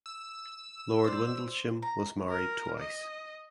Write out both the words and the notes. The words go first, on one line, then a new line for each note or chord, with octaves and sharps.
Lord Windlesham was married twice.
E6
C5 D5
A#5
A#4
D#5